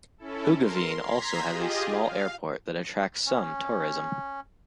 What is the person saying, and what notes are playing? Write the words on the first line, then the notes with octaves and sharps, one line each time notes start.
Hoogeveen also has a small airport that attracts some tourism.
C#4 E4 A4
A#4 C6
A#5 C6 G#6 B6
F4 G4 G#4 D#5
F5
C#4